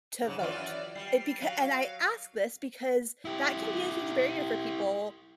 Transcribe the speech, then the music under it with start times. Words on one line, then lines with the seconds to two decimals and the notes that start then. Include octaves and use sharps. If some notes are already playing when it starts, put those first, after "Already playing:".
to vote? It becau and I ask this because that can be a huge barrier for people,
0.23 G#2 C#3
0.39 F#2 E3 F4 D5
0.95 G3 C7
1.42 F#3 F5
3.25 E4 G4